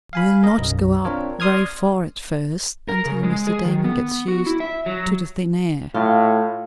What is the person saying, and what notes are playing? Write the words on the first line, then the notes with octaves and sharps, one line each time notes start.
"We'll not go up very far at first, until Mr. Damon gets used to the thin air."
F5 G#5 B5
A#4 D#5
B1 F#2
C4 D4 F4 A#4 C#5
D5 C6 D#6 F6 G#6
A#4
C#3
G#3
G#4
D#3
B3
F#4
E4
E5
F#3
A2 F4